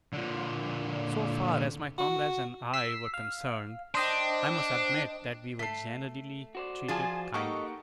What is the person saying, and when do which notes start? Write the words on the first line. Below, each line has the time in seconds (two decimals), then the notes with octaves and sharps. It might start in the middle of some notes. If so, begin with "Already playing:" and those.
So far as my comrades and I were concerned, I must admit that we were generally treated kindly.
0.13 A#2 D3
1.98 F#4
2.73 E6 B6 C7
3.14 F5
3.95 D4 C5 D#5 G5
5.59 A3 B6 C7
6.55 F#4 C5 D5
6.88 F3 F4 G#4 G#5 A6
7.34 A#3 D#4 G4 A4 D#5 F#5 C#6